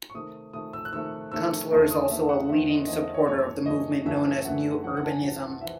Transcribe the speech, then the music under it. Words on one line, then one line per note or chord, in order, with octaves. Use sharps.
Kunstler is also a leading supporter of the movement known as New Urbanism.
C#6
C3 D#3 A3 D#6
C3 D#3 A3 D#6
E6
F#6
C3 D#3 A3 E6
C3 D#3 A3 E6
E2 D#3 A3 C4
D#6
E2 D#3 A3 C4 E5
F#5
E2 D#3 A3 C4 E5
D#5
E2 D#3 A3 C4 D#5
D#5
C#5
F#2 E3 A3 C#5
F#2 E3 A3 D#5
F#2 E3 A3 E5
F#2 E3 A3 F#5
C2 C3 E3 F#5
F#5
A5
G#5
C2 C3 E3
C3 E3 E5